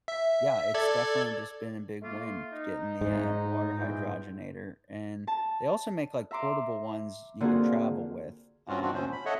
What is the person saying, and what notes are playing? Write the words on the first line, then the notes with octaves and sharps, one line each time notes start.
yeah, it's definitely just been a big win getting the, uh, water hydrogenator and they also make, like, portable ones you can travel with, um,
E5
A4 D5 G#6
A3 A#3 F4
D#4
G#2
E2 A#2 G5
A5
E5 A#5 C6 D6
D3 A#3 C4 F4 F#4 G#4
F#3 A#3 C4 C#4 F4 F#4
B2 E3 B3 C4 D4 F#4
D2 A#2 C#4 C5
B5
A4 C#5 D#5 E5 F#5